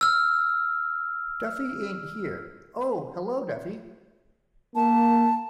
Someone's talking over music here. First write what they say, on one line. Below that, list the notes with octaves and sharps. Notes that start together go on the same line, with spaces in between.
Duffy ain't here-oh, hello, Duffy.
E6 F6
A#3 A5